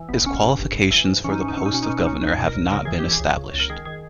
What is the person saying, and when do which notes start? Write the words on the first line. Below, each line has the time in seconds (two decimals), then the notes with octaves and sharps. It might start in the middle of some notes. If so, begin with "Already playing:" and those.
His qualifications for the post of Governor have not been established.
Already playing: E3
0.09 G1 B3
0.26 G1 C#4
0.42 G2
0.59 G1
0.75 G#1
0.91 E3
1.07 G#2
1.24 E3 C#4
1.32 D#4
1.40 G#2 C#4
1.48 D#4
1.57 E3 C#4
1.66 D#4
1.73 B2 C#4
1.83 D#4
1.89 B2 C#4
1.99 D#4
2.06 C#2 C#4
2.22 C#2 D#4
2.38 B2
2.47 A#4
2.55 C#2
2.72 C#3 A#4
2.85 E3 G#4
2.99 G4
3.04 E3
3.11 G#4
3.20 C#2
3.37 C#3
3.54 C#2
3.60 A#4
3.70 D#3 G#4
3.85 D#3 G#4